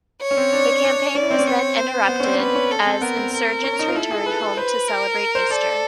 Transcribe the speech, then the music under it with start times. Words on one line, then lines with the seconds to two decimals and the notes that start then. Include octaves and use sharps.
The campaign was then interrupted, as insurgents returned home to celebrate Easter.
0.21 C#5
0.31 C#4
0.37 C4
0.53 D4
0.84 D4
1.15 C#4 D5
1.31 C4
1.39 C#4
1.47 C4 C#5
1.78 C5
2.08 B3
2.20 C#4
2.24 C4
2.33 D4
2.39 C#4 B4
2.55 C#4
2.71 A4
2.86 C4
3.01 B3 A#4
3.17 C4
3.33 A#4
3.64 C#4
3.79 D#4
3.88 F4
3.95 E4 A4
4.11 G#4
4.26 B4
4.57 B4 C5
4.89 A#4
5.35 C5
5.50 A4 D5